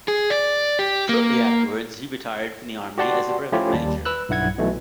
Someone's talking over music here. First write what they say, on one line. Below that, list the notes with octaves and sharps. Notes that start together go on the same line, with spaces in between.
Shortly afterwards he retired from the Army as a brevet major.
G#4
D5
G4
A#3
F#4 G4 D5 F#5 A5 C6
F3 A3 C#4 E4 F4 G4
D#2 G3 A5
B4 E6 F#6
B1 G2 E4 F#5 G#6
B1 B2 E3 A3